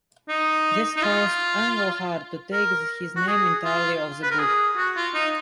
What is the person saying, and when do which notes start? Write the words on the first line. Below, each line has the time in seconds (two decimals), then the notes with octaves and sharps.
This caused Englehart to take his name entirely off the book.
0.28 D#4
0.97 D#4
1.02 F4
2.52 A#4
3.16 F#4
3.28 G#4
3.65 F4
4.22 B4
4.31 A#4
4.39 G#4
4.77 F#4
4.96 F4
5.14 D#4